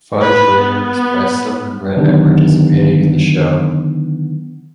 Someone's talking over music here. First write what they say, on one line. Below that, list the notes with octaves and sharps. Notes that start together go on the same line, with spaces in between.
Fudge later expressed some regret at participating in the show.
B4
B3
D3 D#3 F#3 B3 D#4 G4